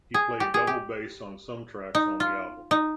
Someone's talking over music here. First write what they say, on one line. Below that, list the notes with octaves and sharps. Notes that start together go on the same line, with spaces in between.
He played double bass on some tracks on the album.
G#4
G4
G#4
G4
D#4
F4
D#4